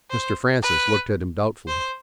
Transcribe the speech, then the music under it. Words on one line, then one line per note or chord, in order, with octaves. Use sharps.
Mr. Francis looked at him doubtfully.
C5
B4
C5